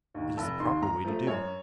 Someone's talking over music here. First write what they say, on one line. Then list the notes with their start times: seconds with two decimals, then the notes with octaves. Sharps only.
It is the proper way to do.
0.14 D#2 D#3
0.37 F1 A5
0.60 D#2 D#3 C6
0.82 F#2 A#5
1.05 F3 A3
1.27 F#2 C#5